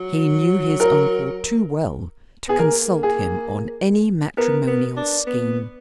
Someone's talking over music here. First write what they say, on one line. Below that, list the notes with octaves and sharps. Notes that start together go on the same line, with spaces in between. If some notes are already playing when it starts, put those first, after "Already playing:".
He knew his uncle too well to consult him on any matrimonial scheme.
Already playing: F#3
A#4
B3 G#4
A#3 A#4
G#4
B3 A#4
B3
D4
B3